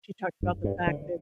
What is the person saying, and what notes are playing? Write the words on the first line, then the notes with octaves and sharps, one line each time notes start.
she talked about the fact that
G2
G2
D3